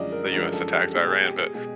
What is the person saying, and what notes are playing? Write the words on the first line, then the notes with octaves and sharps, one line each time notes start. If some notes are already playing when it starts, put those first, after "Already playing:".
the US attacked Iran, but
Already playing: F#2 D3 F3 G#3 D5 D#5
A#4
F#2 D3 F3 G#3 A#4
A4
G4
B2 G#3 G#4
G4
G#4
G4
G#4
B2 G#3 G#4